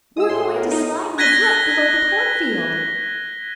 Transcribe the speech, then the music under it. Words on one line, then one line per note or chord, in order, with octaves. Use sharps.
"We're going to slide on the brook below the cornfield."
G#3 D#6 E6
A2 C6
B3 A#4
D#4
F#6 G#6 A#6 B6 D#7 G7